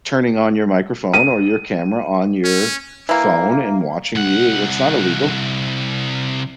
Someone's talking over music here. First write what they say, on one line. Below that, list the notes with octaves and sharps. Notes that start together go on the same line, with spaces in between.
turning on your microphone, or your camera on your phone, and watching you, it's not illegal.
D#7
C#4
E3 A#3
C2 F#5